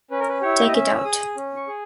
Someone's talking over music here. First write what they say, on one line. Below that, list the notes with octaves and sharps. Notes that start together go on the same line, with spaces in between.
Take it out!
C#4 B4
A#4
B4
E4 G4 C#5
D#5
C#4 E5
E6
G#4 D#6
C#4
C#6
G#4